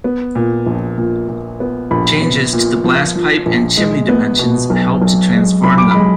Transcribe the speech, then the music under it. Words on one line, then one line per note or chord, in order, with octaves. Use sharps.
Changes to the blastpipe and chimney dimensions helped to transform them.
B3
A#2
A#1
A#2
A#2
B3
A#1 B5
B3
A#2
F3
F3
A#1
G#3
B3
B2
B1
B1
G#3
B1 B5
D6
B5
G#3